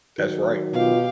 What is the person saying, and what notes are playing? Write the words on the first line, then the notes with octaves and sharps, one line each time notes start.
That's right.
D#3 F#3
B2 F4 G4 F5